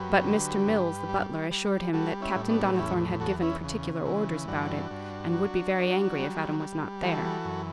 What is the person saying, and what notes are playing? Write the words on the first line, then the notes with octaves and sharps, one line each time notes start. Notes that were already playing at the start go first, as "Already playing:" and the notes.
But Mr. Mills, the butler, assured him that Captain Donnithorne had given particular orders about it, and would be very angry if Adam was not there.
Already playing: F#2 F#3 G4 B4
D3
G2
G3
G3
G3 F#4 A4
C#4 E4
A2
B3 D4
F#4
E2 C#4 E4
E2 F#4 A4
C#4 E4
C#3
E3
G2 D4 F#4
G2
F#3
F#3
G3
G3
E3 F#4 A4
F#2